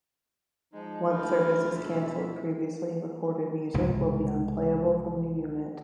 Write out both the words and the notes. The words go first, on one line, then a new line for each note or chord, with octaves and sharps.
Once service is canceled previously recorded music will be unplayable from the unit.
F3 G#3 D#4
D2 E4 A#4 B4 G5
B2 E5
C2 G#2 C#3 G#3